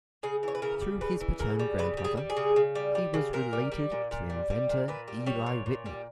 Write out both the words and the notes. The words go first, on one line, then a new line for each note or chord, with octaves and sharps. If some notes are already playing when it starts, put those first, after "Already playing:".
Through his paternal grandmother, he was related to inventor Eli Whitney.
C#3 G#4
E3 C#5
B4
C#3 A#4
G3
C#3 B4
E3
C#3 A#4
G3
C#3 B4
G3
G#4
G3
G#4
C#3
C#3
G3
G3
C#3
A#2 A#4
G3
G3
A#2
A#2
G3
G3
A#2
A#2 B4
G3
G3 C#5
A#2
A#2
G3